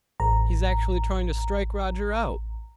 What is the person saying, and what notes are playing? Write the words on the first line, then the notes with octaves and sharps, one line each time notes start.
"He's actually trying to strike Roger out!"
A1 A#5